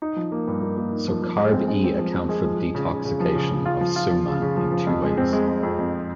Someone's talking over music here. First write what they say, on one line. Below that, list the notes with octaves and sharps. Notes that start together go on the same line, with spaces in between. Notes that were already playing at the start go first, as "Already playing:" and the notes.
So CarbE account for the detoxication of soman in two ways.
D#4
F3
A#3
G2
A#3
A#3
D#4
F3
F3
G#3
C4
G#3
C4
F3
F3
G#3
F3
F3
C#3
C#3
C#3
F3
C#3
C#3
F4
F3
F4
F3
C#3
C#3
F3
F3
F2
G#3
C4
G#3
G#3
F2
F2